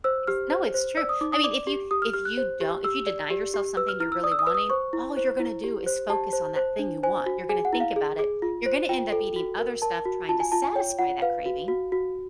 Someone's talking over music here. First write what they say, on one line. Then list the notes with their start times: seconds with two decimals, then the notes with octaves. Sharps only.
Is No, it's true. I mean, if you if you don't if you deny yourself something you're really wanting, all you're gonna do is focus on that thing you want. You're gonna think about it, you're gonna end up eating other stuff trying to satisfy that craving,
0.04 C5 E6
0.27 G4 F6
0.51 C5
0.74 C5
0.97 D5 E6
1.09 D#6
1.21 D#4 D6
1.32 D#6
1.44 D5 D6
1.67 G4
1.91 G4 D#6
2.02 F6
2.14 G4 F6
2.25 F#6
2.37 C5
2.61 G4
2.84 G4 E6
3.07 D5
3.30 G4
3.54 G4
3.77 B4 E6
3.89 F6
4.00 E4 F6
4.12 E6
4.23 D5 D#6
4.32 E6
4.39 D#6
4.47 B4 E6
4.54 D#6
4.70 C5 C#6
4.93 E4
5.17 C5
5.40 E4
5.64 G4
5.86 C5
6.10 G4 A5
6.33 C5
6.56 C5
6.79 D4
7.03 C5 G#5
7.26 F#4
7.49 G#4 G#5
7.65 F#5
7.73 E4
7.80 F5
7.96 G#4
8.19 G#4
8.42 F4
8.66 C5
8.89 F4 G5
9.12 A4
9.36 F#4
9.59 A#4
9.82 A#4 A5
10.05 F#4
10.29 F4 A5
10.40 G#5
10.52 F4 A5
10.64 G#5
10.76 C#5 G5
10.99 F4 F#5
11.22 B4 F5
11.46 F#4
11.68 F#4
11.92 F#4